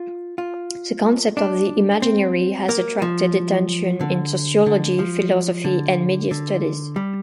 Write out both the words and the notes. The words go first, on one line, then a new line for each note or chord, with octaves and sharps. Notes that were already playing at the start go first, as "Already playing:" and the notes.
The concept of the imaginary has attracted attention in Sociology, Philosophy, and Media studies.
Already playing: F4
F4
D4
C4
A#3
F3
D3
D3
F3
D3
D3
G3